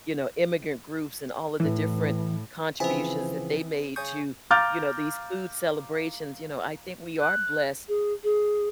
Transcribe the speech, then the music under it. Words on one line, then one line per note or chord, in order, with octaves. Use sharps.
you know, immigrant groups and all of the different contributions that they made to, you know, these food celebrations, you know, I think we are blessed
A2 E3
C#3 E3 F3 B3 C4 E4 C5 G#5
C#3 G#5 C#6 D#6 G6
F5 A#5 D6 F6 G6 A6
F#6
G#4
G#4